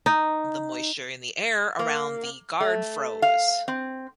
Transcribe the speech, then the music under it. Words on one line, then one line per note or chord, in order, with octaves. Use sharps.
The moisture in the air around the guard froze.
D#4
A#3
A3
F5
C4